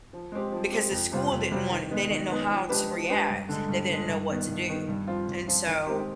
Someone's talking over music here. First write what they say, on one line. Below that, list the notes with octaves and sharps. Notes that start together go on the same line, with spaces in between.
because the school didn't want they didn't know how to react, they didn't know what to do, and so
F3
G#3 C4 G4
F3
G#3 C4 G4
F2
C3 G3 C4 F4
F2
C3 G3 C4 F4
D#3
G#3 B3 D#4
D#3
G#3 B3 D#4
F3
G#3 D4 G4 B4
F3
G#3 D4 G4 B4
G2
D3 G#3
G2
D3 G#3
G2
D#3 B3
G2
D#3 B3
G2
F3 C4 F4
G2
F3 C4 F4
D#3
G#3 C4 G4